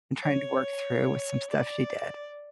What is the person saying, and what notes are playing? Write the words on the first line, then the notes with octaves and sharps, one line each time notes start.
and trying to work through with some stuff she did,
C#5
D5